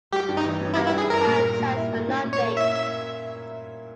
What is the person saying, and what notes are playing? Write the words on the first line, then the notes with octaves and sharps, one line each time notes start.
I apologize for nothing.
G3 G4
G2
D#4
E3
C#4
E4
G3
E4
G2 G#4
E4 A#4
A#2
A#3
A#2
E4
A#2
C#4
A#2
C#5
A#3
E4 E5